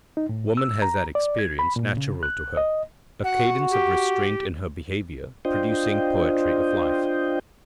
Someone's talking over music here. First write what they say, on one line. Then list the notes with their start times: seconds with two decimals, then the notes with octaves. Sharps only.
Woman has that expression natural to her--a cadence of restraint in her behaviour, producing poetry of life.
0.17 D#4
0.29 A2
0.57 E6
0.82 A#5
1.15 D5
1.39 G#6
1.59 B5
1.76 A#2
1.97 C#3
2.23 F#6
2.57 D#5
3.24 F#4 F#5
3.71 G4
5.45 D4 F4 C5 D#5 G5